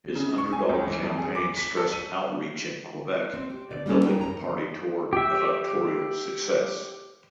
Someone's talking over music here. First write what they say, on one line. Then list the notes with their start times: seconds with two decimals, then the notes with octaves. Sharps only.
His underdog campaign stressed outreach in Quebec and building the party toward electoral success.
0.15 C#3
0.38 C#6
0.52 G#5
0.69 C#2
0.87 E3
1.03 F2
1.18 G#4
1.35 D6
1.56 B6
1.77 A4
1.92 D#7
3.34 C4
3.50 G4
3.71 B2 D5
3.86 G3 A#3 C4 C#4 A4
4.03 D#4 A#4 B4 G5
4.19 F#2 A#5
5.13 G4 E5